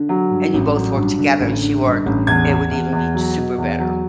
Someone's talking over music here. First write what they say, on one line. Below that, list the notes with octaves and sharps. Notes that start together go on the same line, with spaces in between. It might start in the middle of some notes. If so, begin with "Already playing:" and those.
and you both work together, and she worked, it would even be t super better.
Already playing: D3
F#3
G2
A1
F#3
G2
D3
A1
D3
G2
A1
E2 G#6
E2
E2
E2
F#3
B2
E2
F#3